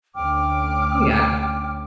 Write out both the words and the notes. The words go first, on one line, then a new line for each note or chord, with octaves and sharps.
Oh yeah.
D2 D3 C#4 G5 D6 F6